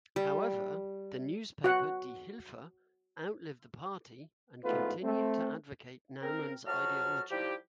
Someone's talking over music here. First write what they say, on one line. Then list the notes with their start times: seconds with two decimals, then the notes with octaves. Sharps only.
However, the newspaper "Die Hilfe" outlived the party and continued to advocate Naumann's ideology.
0.16 G3
1.64 F#4 F#5
4.65 A1 G#2 A3 B3 F4 B4
5.03 A3 C4
6.21 C4 A#4
6.66 F2 F#3 F#4 A5 F6
7.30 F3 G3 D#4 E4 G4